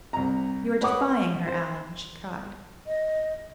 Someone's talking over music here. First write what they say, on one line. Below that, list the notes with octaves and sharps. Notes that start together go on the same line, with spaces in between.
"You are defying her, Allan!" she cried.
C2 A#5
B4 C#5 F#5 D6 D#6
C5
D#5